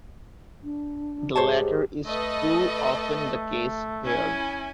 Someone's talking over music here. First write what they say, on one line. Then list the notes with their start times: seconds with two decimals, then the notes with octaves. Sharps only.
The latter is too often the case here.
0.63 D4
1.36 G#2 G4 C5 C#5 A5
2.06 A3 A4 B4 D#5
4.04 C#4 E4 G#5